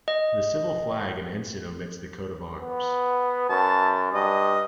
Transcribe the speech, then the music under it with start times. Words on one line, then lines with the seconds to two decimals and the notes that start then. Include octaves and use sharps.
The civil flag and ensign omits the coat of arms.
0.08 D#5
2.61 B3
3.49 F#2 A5
4.13 G2 D#5